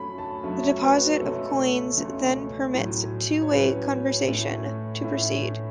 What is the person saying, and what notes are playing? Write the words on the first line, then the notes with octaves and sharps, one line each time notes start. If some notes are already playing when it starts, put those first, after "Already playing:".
The deposit of coins then permits two-way conversation to proceed.
Already playing: F#2 F#3 A3 C#4 B5
A5
F#2 F#3 A3 C#4 E5
C#5
B4
F#4
C#2 B2 A3 C#4 A4
C#2 B2 A3 C#4
A2 F#3 C#4
C#5
A2 F#3 C#4 B4
A2 A3 C#4
A2 A3 C#4 E5